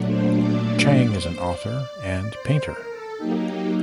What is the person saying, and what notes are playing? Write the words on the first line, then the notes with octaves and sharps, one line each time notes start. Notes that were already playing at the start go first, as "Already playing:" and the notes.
Chang is an author and painter.
Already playing: A#2 F#3 A3 D4
C5
D5
D5
C5
D5
D5
C5
A#4
A4
F#3 A#3 D#4 G4
G4